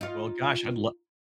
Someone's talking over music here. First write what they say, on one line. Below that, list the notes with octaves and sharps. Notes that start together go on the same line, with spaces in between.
well, gosh, I'd lo
D#4 F4